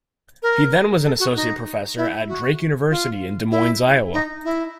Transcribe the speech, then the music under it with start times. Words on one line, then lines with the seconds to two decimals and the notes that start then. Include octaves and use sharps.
He then was an associate professor at Drake University in Des Moines, Iowa.
0.42 A#4
1.04 A4
1.19 F#4
1.35 D#4
1.97 E4
2.28 F#4
2.90 F4
3.51 E4
4.13 D#4
4.45 E4